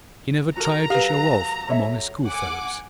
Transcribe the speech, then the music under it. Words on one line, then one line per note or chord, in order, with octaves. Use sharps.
He never tried to show off among his schoolfellows.
F#4 A4 A#4 A#5
F#3 G4 B4 F5
A4 C#5 E5
F#5 G#5 D6